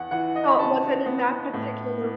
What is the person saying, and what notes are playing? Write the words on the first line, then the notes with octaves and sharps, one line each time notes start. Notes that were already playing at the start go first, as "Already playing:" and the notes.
Oh, was it in that particular
Already playing: E2 F#5
E3 F#5
D#5
B5
C#3 A5
B3
A2
B3